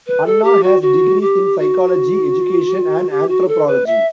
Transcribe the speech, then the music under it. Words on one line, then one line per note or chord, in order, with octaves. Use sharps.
Anna has degrees in psychology, education and anthropology.
B4
A4
G4
F#4
F#4
G4
F#4
G4
F#4
A4
B4
E5